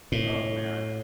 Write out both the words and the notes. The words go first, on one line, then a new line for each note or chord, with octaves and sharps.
Oh, man.
A2